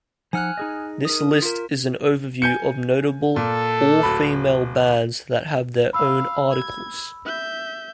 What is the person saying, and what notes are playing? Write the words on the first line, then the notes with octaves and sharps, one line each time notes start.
This list is an overview of notable all-female bands that have their own articles.
F3 D#4 F#5 G#5 F6 F#6
D#4 G#4 D#5
A#4 D#6
F4 A#4
G#5 G6 C#7
A#2 A4
D1 B5
F5 B5 E6
G#6
E5 G6